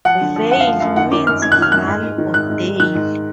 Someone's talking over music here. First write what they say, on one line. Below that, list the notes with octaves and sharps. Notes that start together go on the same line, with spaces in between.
"Vale" means valley or dale.
F3 F#5
D3
F3
F#2 F#5
F5
F3
F#2 F5
D#3 F#5
D#3 D6
F#2 F6
D#3 G#6
F#6
D#3 F6
F#2 F#6
G#2
G#2
D#3
G#2 F#6
G#2
D#3
D#3 F#6
G#2